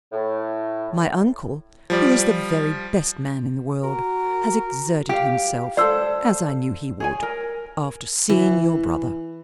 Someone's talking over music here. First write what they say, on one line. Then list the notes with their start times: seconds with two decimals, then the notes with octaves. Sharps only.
My uncle, who is the very best man in the world, has exerted himself, as I knew he would, after seeing your brother.
0.12 A2
1.90 F3 G3 D5
3.83 F#4 A#4
5.09 G4 F5
5.77 A4 C5 D5 E6
7.00 G#4 C#5 G#5
7.23 A#4
8.29 E3